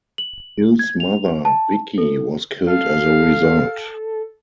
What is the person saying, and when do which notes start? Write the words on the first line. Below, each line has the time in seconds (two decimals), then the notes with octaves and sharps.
Hill's mother, Vicki, was killed as a result.
0.18 F#7
0.79 G#6
1.00 F7
1.45 A5
1.98 A4
2.67 A4 F5